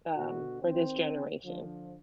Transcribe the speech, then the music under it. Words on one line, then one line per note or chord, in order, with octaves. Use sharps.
um, for this generation.
B2 D3 F#4
D#3 C4
D3 F3